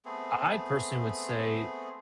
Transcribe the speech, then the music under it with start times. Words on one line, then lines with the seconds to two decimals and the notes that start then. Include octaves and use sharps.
I I personally would say
0.05 A3 B3 C4 G#4